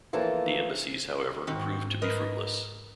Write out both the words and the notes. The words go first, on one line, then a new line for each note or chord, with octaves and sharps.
The embassies, however, proved to be fruitless.
C#3 E3 F3 A#3 A4
G#2 D#3 C4 F#4
A#4 B4 D#5